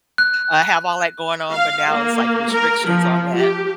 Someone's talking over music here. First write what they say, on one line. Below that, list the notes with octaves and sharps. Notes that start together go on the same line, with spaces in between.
uh, have all that going on, but now it's, like, restrictions on that.
F#6
F5
A#3
A#4
F3
G4